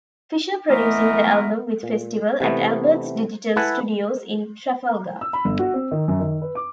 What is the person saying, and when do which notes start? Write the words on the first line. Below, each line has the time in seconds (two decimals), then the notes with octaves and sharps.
Fisher producing the album with Festival, at Alberts Digital Studios in Trafalgar.
0.69 E3 A3 B3 A#4 D#5 E5
1.83 A#2
2.40 C3 E3 A3 B3
3.56 E4 A4 B4 F#5 G#5 A5
5.21 E6
5.33 B5
5.45 G1
5.59 F#4
5.74 C4
5.91 D#3
6.08 F#2
6.20 D#3
6.41 B4
6.55 D6